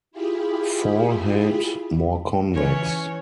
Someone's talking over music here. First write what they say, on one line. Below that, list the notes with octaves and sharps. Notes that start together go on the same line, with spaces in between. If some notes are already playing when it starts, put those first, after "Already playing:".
Forehead more convex.
E4 F4 G4 G#4 B5
E3 C#4 C#5